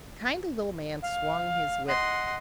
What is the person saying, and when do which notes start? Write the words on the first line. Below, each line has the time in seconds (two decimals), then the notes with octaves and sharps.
The kindly little man swung his whip.
1.02 F5
1.87 D#5 F#5 C6